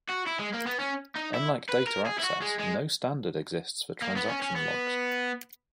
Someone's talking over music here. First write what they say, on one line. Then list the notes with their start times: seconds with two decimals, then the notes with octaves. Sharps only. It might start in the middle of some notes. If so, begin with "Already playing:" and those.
Unlike data access, no standard exists for transaction logs.
0.09 F#4
0.26 E4
0.39 G#3
0.53 A#3
0.66 B3
0.79 C#4
1.15 D#4
1.34 E4
1.69 B4
1.87 A#4
2.06 G#4
2.18 E4
2.23 F#4
2.41 G#3
2.60 G#3
4.02 A#3
4.17 B3
4.29 C#4
4.42 C#4
4.56 B3